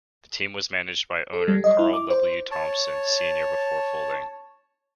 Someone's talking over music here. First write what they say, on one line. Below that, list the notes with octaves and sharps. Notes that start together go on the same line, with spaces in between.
The team was managed by owner Carl W. Thompson, Senior before folding.
A4
G3
D#5
E4
D6
C5
C#5 A5